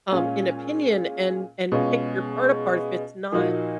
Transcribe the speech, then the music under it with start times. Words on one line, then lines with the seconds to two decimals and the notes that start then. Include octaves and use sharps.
um, an opinion and and pick your part apart if it's not,
0.11 A#2 G#3 C#4 F4
1.72 B2 G#3 C#4 F4
3.32 A#2 F3 A#3 D#4 F#4